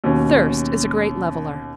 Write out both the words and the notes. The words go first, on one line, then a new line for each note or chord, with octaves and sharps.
Thirst is a great leveller.
D#2 B2 C#4